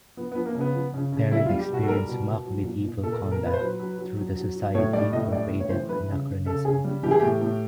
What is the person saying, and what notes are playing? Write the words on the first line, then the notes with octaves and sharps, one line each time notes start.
Perrin experienced mock medieval combat through the Society for Creative Anachronism.
F3 B3
B3
F3
A#3
C#3
B3
F3
C#3
C#3
G3 E4
F4
G3
G4
B2 F#4
A4
G3 A#4
B2
B2
F#3
A#2
A#2
A#2 A4
A#4
A4
A#2
A#4
A#2 B4
C5
F#3 B4
F#3
F#3
F#3
F#3
F#3
A2 C#5
G3 D5
A2 D#5
G3 D5
A2
C#5
E3 C5
G3 B4
C#3
C#3
C#3 A4
C#3 G#4
G3
E3 G4
G#4
A2 G4
A2